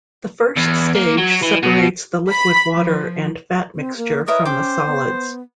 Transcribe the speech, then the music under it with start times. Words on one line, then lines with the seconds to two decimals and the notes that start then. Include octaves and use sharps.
The first stage separates the liquid water and fat mixture from the solids.
0.56 E2
0.95 A#3
1.17 F#3
1.42 E3
1.63 B2
2.30 B5
2.73 F3
3.76 C4
3.97 A#3
4.28 E4 A#4 B4 C#5 D#5
4.45 C#4 G4 C5 D6
4.87 B3